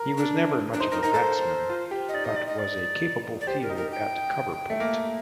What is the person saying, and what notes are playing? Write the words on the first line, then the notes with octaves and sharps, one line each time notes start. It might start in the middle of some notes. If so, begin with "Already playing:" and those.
He was never much of a batsman, but was a capable field at cover-point.
Already playing: A#4
D4
D4
D#4 C5
D#4 A#4
D#4 A#4
A4 C5
F4
G4
D#5
D#4 D5
D#5
D5
D#5
D5
D5
G4 C5
A#4
D#4
A#4
G5
A3
A#3